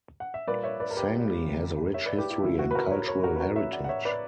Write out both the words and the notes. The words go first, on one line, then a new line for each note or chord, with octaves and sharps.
Sangli has a rich history and cultural heritage.
F#5
E5
A#2 G3 A#3 B4 D5
C#5 E5
B4 D5
A#4
G4 B4
C#5 E5
B4 D5
G4 B4
E4 G4
D2 C#3 F#3 E4
F#4
B4
F#4 A#4
A#4 C#5
A#4 C#5
F#4 A#4
B4
F#4 A#4
C#5 E5
D5 F#5
F#5
C#5 E5
B4 D5